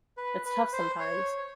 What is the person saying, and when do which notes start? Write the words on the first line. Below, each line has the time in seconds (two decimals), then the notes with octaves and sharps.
It's tough sometimes.
0.17 B4
0.45 B4
0.72 C5
1.00 C#5